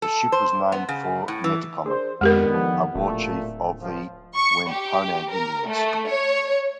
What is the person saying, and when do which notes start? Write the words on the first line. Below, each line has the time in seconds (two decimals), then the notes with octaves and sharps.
The ship was named for Metacomet, a war chief of the Wampanoag Indians.
0.02 A4
0.32 C5
0.72 B3
0.89 C#3
1.28 A2
1.44 E3
1.86 D4 G#4 A#4 C5
2.21 F2 D3 D#3 G#3 B3 G4 A#4
2.54 F3
2.95 D1 A#2 A3
3.80 C#2 F3
4.36 C#6
4.70 G4
5.31 A#4
5.67 A3
6.08 C#5